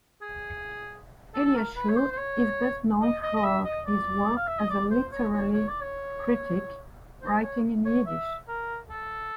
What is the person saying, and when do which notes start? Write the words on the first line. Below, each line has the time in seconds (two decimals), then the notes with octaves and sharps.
Elyashev is best known for his work as a literary critic, writing in Yiddish.
0.22 G#4
1.34 A4
1.46 A4
1.55 A#4
1.76 B4
1.89 C#5
1.97 C5
2.11 C5
2.17 C#5
3.02 D#5
3.23 D#5
3.36 D#5
3.44 E5
3.65 D#5
3.86 D5
4.37 F5
4.48 E5
4.59 D#5
4.70 D5
4.91 C5
5.12 C#5
5.33 C#5
5.54 C#5
5.68 D5
5.81 C#5
7.22 C5
7.43 C#5
7.85 C#5
8.06 E5
8.48 A#4
8.90 A4